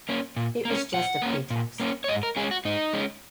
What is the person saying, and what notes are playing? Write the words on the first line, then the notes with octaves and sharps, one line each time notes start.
It was just a pretext.
A#3 C#4
A#2
A#3 C#4
A#2 F#5
A#3 C#4
A#2
A#3 C#4
C#5
G#2 D#5
A#4
G#3 C#4 G#4
F#4
G#2 D#4
G#3 C#4